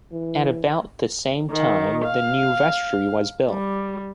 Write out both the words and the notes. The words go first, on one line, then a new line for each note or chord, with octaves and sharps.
At about the same time, the new vestry was built.
E3
D#3
F5
G3